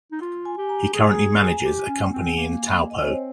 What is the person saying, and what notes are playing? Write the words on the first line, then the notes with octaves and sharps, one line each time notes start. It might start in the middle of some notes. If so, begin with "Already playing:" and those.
He currently manages a company in Taupo.
D#4
F4
G#5
G4
A#5
G#4 G#5
G#5
G4
C#4
C4
A#3
D#5
C#5
C4 C5